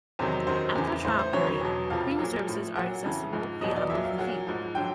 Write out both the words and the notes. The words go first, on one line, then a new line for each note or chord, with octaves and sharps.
After a trial period, premium services are accessible via a monthly fee.
E2 C3 D#3 F#3 C5
F#2 D#3 F#3 C5
E2 C#3 E3
A2 E3 C5
C5
E2 C#3 F#3 C#5
C#5
E2 B2 F#3
F2 C3 F3 F5
A#2 F#3
A2 F3
A#2 F#3 F#5
F2 C#3 E3
G#2 F3
E2 B2 F#3 D#5
D5
A#2 F#3 E5
F5
A#2 F#3 F#5
G#2 F3
D3 F#3 G5